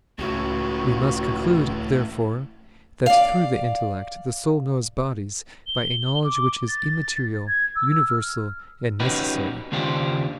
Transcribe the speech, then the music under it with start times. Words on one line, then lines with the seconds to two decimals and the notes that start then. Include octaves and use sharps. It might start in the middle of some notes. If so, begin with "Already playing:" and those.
We must conclude, therefore, that through the intellect the soul knows bodies by a knowledge which is immaterial, universal, and necessary.
0.19 C#2 A2 C#4 F#4
3.06 D5 F5
5.67 G7
6.24 D6
6.68 A6
7.47 G#6
7.75 E6
8.08 F6
9.00 C#4 D#4 F#4 G4 B4
9.72 D#2 C#3 D4 F4 G4 C5